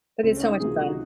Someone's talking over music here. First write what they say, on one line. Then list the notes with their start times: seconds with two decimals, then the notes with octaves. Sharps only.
But it's so much fun.
0.23 C#2 C4
0.37 C#4
0.42 D#4
0.60 C3 F#3 A#3 F4 G#4
0.79 F#4
0.88 D#4